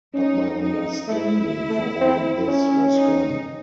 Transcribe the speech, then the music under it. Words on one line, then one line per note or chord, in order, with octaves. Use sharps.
But my understanding for all this was gone.
C#4 D#4
D#4
A3 E4
A3
C4
C#4
D#4